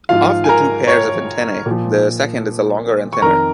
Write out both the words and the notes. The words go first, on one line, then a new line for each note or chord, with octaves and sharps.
Of the two pairs of antennae, the second is the longer and thinner.
G#2 F3 F4 F5
G#5
A#4 A#5
C#5 C#6
A#2 F3
C#6
F2 D#3 A#4 A#5